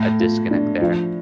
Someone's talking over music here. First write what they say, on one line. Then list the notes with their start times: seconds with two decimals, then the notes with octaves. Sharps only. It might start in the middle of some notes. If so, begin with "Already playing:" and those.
a disconnect there.
Already playing: A2 A3
0.20 F4
0.51 D4
0.81 F3